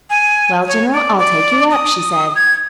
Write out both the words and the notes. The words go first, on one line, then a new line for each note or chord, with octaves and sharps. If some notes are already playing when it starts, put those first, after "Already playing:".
"Well, general, I'll take you up," she said.
G#5
C#5
D5
D5
D#6
G#6